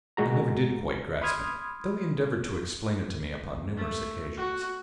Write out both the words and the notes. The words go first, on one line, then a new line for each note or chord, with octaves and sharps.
I never did quite grasp him, though he endeavored to explain it to me upon numerous occasions.
A#2 G#3 F#4 A#5
B5 C6 D#6 F6 G#6
A3
F#4